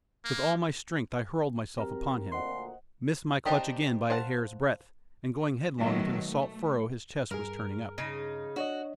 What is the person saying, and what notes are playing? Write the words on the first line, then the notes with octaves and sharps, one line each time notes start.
With all my strength I hurled myself upon him, missing my clutch again by a hair's-breadth and going headlong into the salt furrow his chest was turning up.
A#3
F#3 C4 G4 A#4 A#5
D2 A#2 C5 D#5 F#5 C6
C4 D4 D#4 G4 D5
C5 F5 F#5 A5
B2 D#3 F#3 G#3 A3
A3
G2 G#4 A#4
C#3 D#4
D4 F#4 C#5 D#5